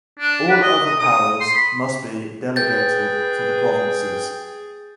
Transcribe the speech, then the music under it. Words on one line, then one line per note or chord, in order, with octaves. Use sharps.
All other powers must be delegated to the provinces.
D4
B4
D#5
D#6
D#6
C6
B5
G#4 B4 G5 G6 A6